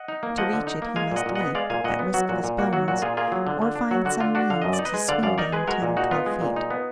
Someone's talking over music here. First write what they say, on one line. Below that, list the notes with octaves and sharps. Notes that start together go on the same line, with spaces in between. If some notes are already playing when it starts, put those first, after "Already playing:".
To reach it he must leap, at risk of his bones, or find some means to swing down ten or twelve feet.
Already playing: D#5 F#5
D#4
A#3
F3 D#5 F#5
D3
D#4
A#3
G#3 F5 G#5
A#2 D#5 F#5
A#2
D#5 F#5
B3
G#3 D5 F5
A#2 F5 G#5
A#2 D#5 F#5
B3
F#3 F#4
A#2 F#4
A#2
A#3 F#4
F#3 F#4
A#2 F#4
A#2 F4 G#4
A#3 F4 G#4
F#3
D3
D3
D4
F#3 F#4
D3 F#4
D3 F4
D4 F#4
D3 F5
F#2 D#5
D5
D#4
B4 D#5
G#3
D3 D5 F5
F#2 D5 F5
D#4 A#4 D5
G#3 G#4 B4
G#3 F#4 A#4
A#2
D#4 F#4
B3 F4
G#3
A#2
D#4
B3